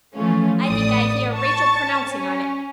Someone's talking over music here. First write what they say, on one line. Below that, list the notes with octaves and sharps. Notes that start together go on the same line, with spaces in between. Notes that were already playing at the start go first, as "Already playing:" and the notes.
I think I hear Rachel pronouncing on it.
E3 F3 A3 C#4 F4
A1 A2 A3 D5 D#6
A5 C#6 A6
C#4